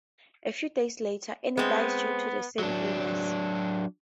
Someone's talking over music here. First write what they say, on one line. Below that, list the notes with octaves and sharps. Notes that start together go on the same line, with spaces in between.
A few days later, Anne died due to the same illness.
G#3 B3 C4
F#3 D4